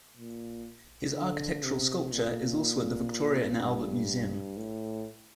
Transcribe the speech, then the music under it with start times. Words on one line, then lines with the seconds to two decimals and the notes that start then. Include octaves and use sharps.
His architectural sculpture is also at the Victoria and Albert Museum.
0.17 A#2
1.15 D3
1.64 C3
2.12 A#2
3.60 G2
4.57 A2